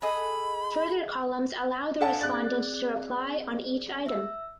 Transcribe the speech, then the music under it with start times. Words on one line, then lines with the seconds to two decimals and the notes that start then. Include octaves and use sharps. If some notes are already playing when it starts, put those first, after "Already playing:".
Further columns allow the respondent to reply on each item.
0.02 G#4 A4 D#5 B5
2.01 D4 A4 F5 F#5 G#5 A5
2.21 C4 G#4 D5 F#6 A6
4.06 E5 E6